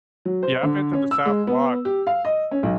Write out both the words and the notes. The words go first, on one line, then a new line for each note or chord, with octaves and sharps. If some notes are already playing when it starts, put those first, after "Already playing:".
Yeah, I've been to the South a lot.
F#3
C5
D3
C#4
E6
G#3
B3
G4
F5
D#5
C#4
B1